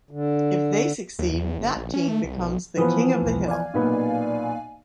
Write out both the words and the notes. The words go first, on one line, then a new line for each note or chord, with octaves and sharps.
If they succeed, that team becomes The King of the Hill.
D3
D#2
E2
E2
G1
A#1
C#4
A3
C2
B1
E3 F3 B3 B4 B5 D#6
B1 E2
D5 F5 G#5
B1 A#2 B3